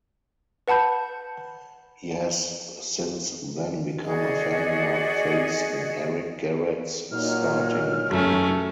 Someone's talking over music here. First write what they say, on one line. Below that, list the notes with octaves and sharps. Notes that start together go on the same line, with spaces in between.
He has since then become a familiar face in Eric Gerets' starting eleven.
B4 F#5 A5 B5 G6
F#4 G#4 D5 D#5
A#2 F#3 D#4 F6
F#2 A3 C#4